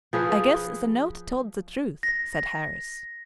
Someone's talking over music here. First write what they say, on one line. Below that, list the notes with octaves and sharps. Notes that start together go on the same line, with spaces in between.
"I guess the note told the truth," said Harris.
F3 G#4 B4
A#6